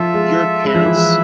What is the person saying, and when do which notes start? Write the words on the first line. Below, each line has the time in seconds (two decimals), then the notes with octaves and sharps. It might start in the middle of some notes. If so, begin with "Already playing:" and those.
your parents
Already playing: F3 F4 A4 E5
0.14 G#3
0.64 G#3 E4 B4 E5
0.75 F3
0.85 E3
0.96 G#3